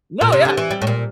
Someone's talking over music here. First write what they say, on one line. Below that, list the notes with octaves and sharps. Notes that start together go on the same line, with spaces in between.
No, yeah.
A#2
C3
D3
E3
G3
A2
A#2